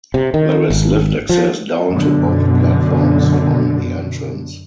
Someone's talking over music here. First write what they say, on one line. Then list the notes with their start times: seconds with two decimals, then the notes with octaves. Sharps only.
There is lift access down to both platforms from the entrance.
0.14 C3
0.34 D#3
0.70 G#1
1.29 F3
1.90 F#2 B2 D3